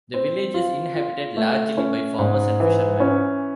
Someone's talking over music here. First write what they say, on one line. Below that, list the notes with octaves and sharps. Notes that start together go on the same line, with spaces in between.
The village is inhabited largely by farmers and fishermen.
C4
F4
F4
A3
C#4
G#2
E3
C#4